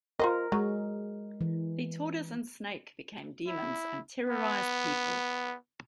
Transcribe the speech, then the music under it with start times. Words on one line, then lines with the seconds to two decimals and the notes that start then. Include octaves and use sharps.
The tortoise and snake became demons and terrorized people.
0.19 F4 A#4 C5 D#5
0.52 F#3 G#3
1.41 E3
3.47 E4
4.30 B3